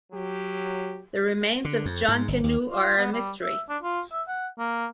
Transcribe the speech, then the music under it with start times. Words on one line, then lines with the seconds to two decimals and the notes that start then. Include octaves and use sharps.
The remains of John Canoe are a mystery.
0.13 F#3 G4
1.65 D3
1.86 F2
2.08 G#2
2.28 G1
2.44 D#2
2.70 F4
2.98 B3
3.12 G3
3.43 E5
3.69 D4
3.83 F4
4.12 E5
4.28 F#5
4.59 A#3